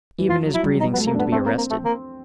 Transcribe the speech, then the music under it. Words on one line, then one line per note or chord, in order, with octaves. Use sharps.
Even his breathing seemed to be arrested.
E3
F3 F4
F#3
E4
G3
D#4
B3
A3
A#3
D4
B3
A3 C4
A#3
A#3
A3
A#3